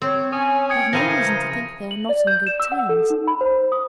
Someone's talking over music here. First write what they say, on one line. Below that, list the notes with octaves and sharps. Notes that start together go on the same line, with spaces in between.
But I've no reason to think they are not on good terms.
C4 C#5
C#4 G#5 D#6
G5 D#6 G#6 C#7
C#3 E3 F3 A#4 C5 A#6 D#7
F#7
D5
G6
E7
E6
F#5
A4
D#4
B5
C5
D#6